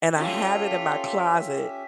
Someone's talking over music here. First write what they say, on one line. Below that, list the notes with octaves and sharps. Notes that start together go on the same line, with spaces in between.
and I have it in my closet,
C#4 F4 G4 A4 E5